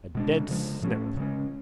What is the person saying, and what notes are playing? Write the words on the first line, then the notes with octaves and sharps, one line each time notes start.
A dead snip.
B2 G#3 D4
C#3 F3 G#3
A2 F3 A3 C#4
C#3 G#3 C#4